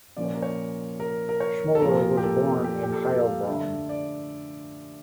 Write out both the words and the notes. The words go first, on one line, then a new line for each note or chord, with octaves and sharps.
Schmoller was born in Heilbronn.
A#2 F3 A#3 C#4 D5
C#5
A#4
C#5
A#4
A#4
C#5
A4
A#2 F3 A#3 A#4
G4
A4
G4
G4
A4
F5
D3 A3 D4 E5
D5